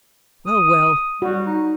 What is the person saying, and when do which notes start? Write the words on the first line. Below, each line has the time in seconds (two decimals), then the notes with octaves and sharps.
'Well! well!
0.46 D#6
1.22 G3 F#4
1.46 D#4